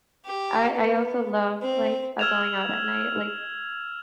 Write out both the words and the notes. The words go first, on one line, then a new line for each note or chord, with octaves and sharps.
I I also love, like, uh, going out at night, like,
G4
B3
C4
E6 F6 G#6 E7 F7